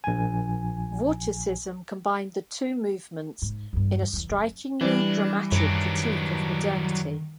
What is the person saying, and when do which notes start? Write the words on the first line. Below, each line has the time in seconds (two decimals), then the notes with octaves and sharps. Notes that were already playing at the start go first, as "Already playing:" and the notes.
Vorticism combined the two movements in a strikingly dramatic critique of modernity.
0.04 A#1 G#5
3.42 G#2
3.73 E2 G2
4.13 E2 E3
4.30 F#2
4.81 E3 G3 D4
5.52 F#2 D#3 F#3 D4